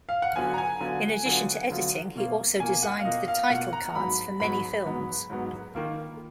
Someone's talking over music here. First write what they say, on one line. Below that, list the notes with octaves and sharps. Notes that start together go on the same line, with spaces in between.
In addition to editing, he also designed the title cards for many films.
F5
F#5
D3 F#3 B3 F4 G#5
A#5
G#5
D3 F#3 B3 F4
D3 F#3 B3 F4
D3 F#3 B3 F4
B2 A#3 F4
B2 A#3 F4 G#5
F#5
F5
B2 A#3 F4 D#5
F5
B2 A#3 F4 F#5
A#5
G#2 F#3 B3 B5
G#2 F#3 B3 B5
G#2 F#3 B3
G#2 F#3 B3
D#3 A#3 F4